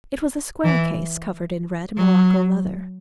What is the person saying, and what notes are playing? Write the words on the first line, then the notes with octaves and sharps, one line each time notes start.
It was a square case covered in red morocco leather.
E3
F#3